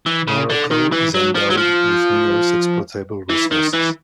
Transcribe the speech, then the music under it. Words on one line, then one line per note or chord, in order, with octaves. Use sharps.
Morocco is endowed with numerous exploitable resources.
E3
C#3
D3
D#3
E3
F#3
F3
F#3
F3
E3
D#3
E3